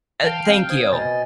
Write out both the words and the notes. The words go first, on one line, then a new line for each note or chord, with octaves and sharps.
Uh, thank you.
E3 F5 G5 A5
C4
C5 D#6 G#6
B2 D#5 G#5 A6